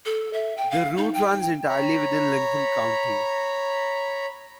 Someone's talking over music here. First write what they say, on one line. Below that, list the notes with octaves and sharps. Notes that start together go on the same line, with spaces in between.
The route runs entirely within Lincoln County.
A4
E5
G5
F5
D#4
G5
C#5 A#5 B5